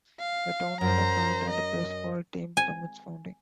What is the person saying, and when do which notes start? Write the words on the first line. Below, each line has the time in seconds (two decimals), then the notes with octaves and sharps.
The town had a band and baseball team from its founding.
0.19 F5
0.81 F#2 C5 A#5
1.50 D#5
2.57 G#5